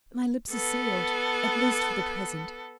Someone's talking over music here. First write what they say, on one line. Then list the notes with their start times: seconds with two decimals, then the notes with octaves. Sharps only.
But my lips are sealed--at least for the present.
0.51 B3 A4